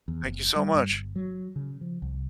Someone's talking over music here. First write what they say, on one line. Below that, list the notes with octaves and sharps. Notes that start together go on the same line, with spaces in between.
Thank you so much.
E2
F#1
G3
G2
G1
F#3
C#3
F3
C2